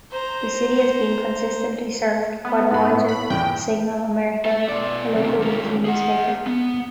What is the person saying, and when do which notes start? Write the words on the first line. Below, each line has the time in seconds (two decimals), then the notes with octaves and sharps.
The city has been consistently served by the Weiser Signal-American, the local weekly newspaper.
0.11 C5 A#5
2.45 B3
2.71 G#2 B3 B5
2.89 A2
3.09 B5
3.30 E2 A#2 G5
4.45 A4 E5
4.69 B2 D5
5.14 F#2 C3
5.40 D#2 C#4
5.85 G#4 F#5
6.47 B3